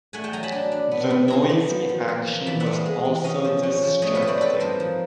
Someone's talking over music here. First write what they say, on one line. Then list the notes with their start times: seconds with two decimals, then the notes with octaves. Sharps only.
The noisy action was also distracting.
0.13 A3 F#5 G#5
0.24 G5 A5
0.33 F#3 G#5 A#5
0.43 A5 B5
0.52 D4
0.72 D4
0.91 B3
1.10 B3
1.28 E4 A#5 C6
1.49 B3
1.69 F3
1.89 F3
2.08 A#3
2.28 F3
2.46 E3 A5 B5
2.60 E5 F#5
2.66 C4
2.73 D#5 F5
2.86 G#3
3.05 E3
3.24 C#4 D#5 F5
3.44 F3
3.63 C#4
3.83 F3
4.02 A3 C#5 D#5
4.15 B4 C#5
4.22 A3
4.27 C5 D5
4.41 C4 A4 B4
4.60 D#4 A#4 C5
4.80 F3